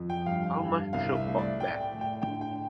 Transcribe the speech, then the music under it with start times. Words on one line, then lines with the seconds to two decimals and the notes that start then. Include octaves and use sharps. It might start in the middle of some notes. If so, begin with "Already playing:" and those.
How much should Bob bet?
Already playing: F2 F3
0.10 G5
0.26 G2 F5
0.60 G2
0.93 C2 F5
1.15 E5
1.27 A3
1.38 D5
1.60 A2 G5
1.81 G5
1.94 A2
2.01 G5
2.22 G5
2.27 D3
2.41 G5